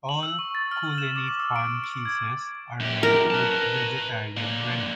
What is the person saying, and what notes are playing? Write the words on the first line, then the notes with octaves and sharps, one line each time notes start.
All Cooleeney Farm cheeses are made with vegetarian rennet.
F#7
E6
C#6
A6
F6
E7
D6
D6
E6
D7
D7
G#6
F#2 G4
A#4
B4 A5
D3 A#3